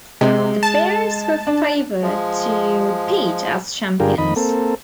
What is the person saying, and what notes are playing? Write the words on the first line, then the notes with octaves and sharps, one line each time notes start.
The Bears were favored to repeat as champions.
C3 G#3
A5
D4
F3 G#3
G2 D3 F4 G4 G#4 A#4
F2 D#3 D#5 B5
A#3 C4 A4